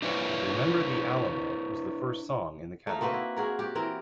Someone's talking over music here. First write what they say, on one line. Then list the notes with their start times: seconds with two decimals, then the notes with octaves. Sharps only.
"Remember the Alamo" was the first song in the catalog.
0.02 D4 E4 B4 C#5
2.87 A3 D#4 F5
3.01 A#3 C4 F#4 B4
3.14 E4
3.36 F#4 G#4 A#4
3.59 F#4 G4
3.75 E3 C4 A#4